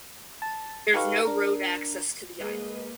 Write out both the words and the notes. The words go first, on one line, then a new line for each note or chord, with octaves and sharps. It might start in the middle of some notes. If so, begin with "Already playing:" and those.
There is no road access to the island.
A5
D#4 G4 A4 B4 F5 C#6
D4 A#4
G#3 A#3 G#4 B4 D#5